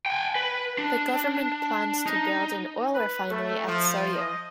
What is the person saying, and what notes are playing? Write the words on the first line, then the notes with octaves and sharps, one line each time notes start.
The government plans to build an oil refinery at Soyo.
G5 G#5
B4
D4
D#4
B4
A3
F3
D#5